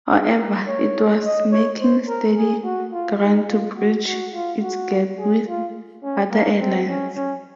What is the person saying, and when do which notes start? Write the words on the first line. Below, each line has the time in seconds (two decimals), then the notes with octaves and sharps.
However, it was making steady ground to bridge its gap with other airlines.
0.10 G#4
0.38 A#4
0.67 C#5
1.24 D#5
1.51 C#5
1.79 C5
2.08 A#4
2.36 G#4
2.64 F#4
2.92 F4
3.21 D#4
3.49 F4
3.77 F#4
4.05 F#4
4.34 F4
4.62 F#4
5.18 G#4
5.47 F4
6.04 C#4
6.31 A#3
6.60 C4
6.88 C#4
7.16 C#4